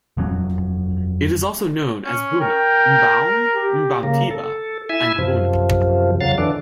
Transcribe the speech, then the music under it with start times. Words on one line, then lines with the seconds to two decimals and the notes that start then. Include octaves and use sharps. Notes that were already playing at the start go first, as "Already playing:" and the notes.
It is also known as Buna, Mboum, Mboumtiba, and Wuna.
0.17 F1 F3 F#3 C#4
2.05 C#4
2.41 A#4 G5
3.55 G4
4.03 C#3 A#3
4.31 A4
4.89 E4 E5 G#5
5.18 F#2 C3 F3
6.21 F2 C#3 F#3 F5 A6
6.38 D3 E3 D4